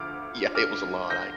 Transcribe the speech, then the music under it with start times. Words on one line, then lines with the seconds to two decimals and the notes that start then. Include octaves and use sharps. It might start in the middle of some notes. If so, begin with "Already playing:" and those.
Yeah, it was a lot. I
Already playing: D2 D3 F3 D6 F6
0.55 D6 F6
1.10 G6 A#6